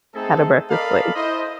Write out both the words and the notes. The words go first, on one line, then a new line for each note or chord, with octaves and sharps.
at a breakfast place,
A3 C4 D#4 G#4 A4
A4 A#4 D5 D#5 F5 B5
E4 C5 D#5